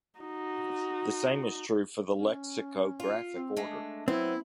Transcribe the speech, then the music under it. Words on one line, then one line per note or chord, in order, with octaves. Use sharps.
The same is true for the lexicographic order.
D#4 F#4
C#4
F4
C4
G#3 A3 D4
F#3 B3 C4 E4